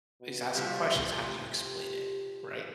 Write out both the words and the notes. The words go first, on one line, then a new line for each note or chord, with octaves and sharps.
is asking questions, how do you explain it, right?
B2
C3 F3 G3 A3
G4